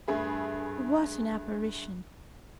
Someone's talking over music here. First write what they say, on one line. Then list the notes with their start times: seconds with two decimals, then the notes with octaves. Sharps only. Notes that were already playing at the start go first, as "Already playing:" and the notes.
What an apparition!
0.08 G2 A3 G#4 B5